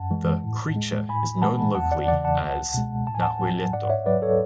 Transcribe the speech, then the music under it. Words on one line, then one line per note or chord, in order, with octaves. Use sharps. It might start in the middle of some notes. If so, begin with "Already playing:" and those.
The "creature" is known locally as "Nahuelito".
Already playing: F#2 F#5 A5
E3 G#3
A2
G#3
A2 G#5 B5
E3 G#3 F#5 A5
E2 F#5 A5
D5 F#5
C#3 E3 D5 F#5
F#5 A5
C#2
B2 G#3
A2 A5
G#5
F#5 A5
F#3
G#2 D5 F#5
C#5 E5
F#3 B4 D5
A4 C#5